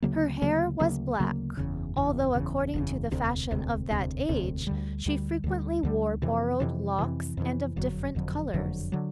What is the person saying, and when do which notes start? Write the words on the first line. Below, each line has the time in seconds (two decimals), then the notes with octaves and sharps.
Her hair was black, although, according to the fashion of that age, she frequently wore borrowed locks, and of different colours.
0.02 D2 C#3 F#3 A#3
0.42 D2 C#3 F#3 A#3
0.80 D2 C#3 F#3 A#3
1.19 D2 C#3 F#3 A#3
1.57 F#1 E2 C#3
1.96 F#1 E2 C#3
2.35 F#1 E2 C#3
2.74 F#1 E2 C#3
3.12 E1 D2 C3
3.51 E1 D2 C3
3.90 E1 D2 C3
4.29 E1 D2 C3
4.67 D2 D3 G3
5.06 D2 D3 G3
5.44 D2 D3 G3
5.83 D2 D3 G3
6.22 F2 C3 E3
6.60 F2 C3 E3
6.98 F2 C3 E3
7.37 F2 C3 E3
7.76 F#1 F2 D3 F#3
8.15 F#1 F2 D3 F#3
8.54 F#1 F2 D3 F#3
8.92 D3 F#3